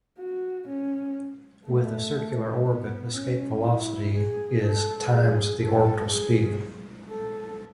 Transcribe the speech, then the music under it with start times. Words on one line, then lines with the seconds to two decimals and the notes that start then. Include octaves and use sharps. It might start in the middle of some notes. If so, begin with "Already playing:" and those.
With a circular orbit, escape velocity is times the orbital speed.
0.19 F#4
0.69 C#4
1.68 A3
2.67 B3
3.15 C#4
3.66 E4
4.14 G#4
4.64 A4
5.13 G#4
5.64 A4
6.12 G#4
7.11 A4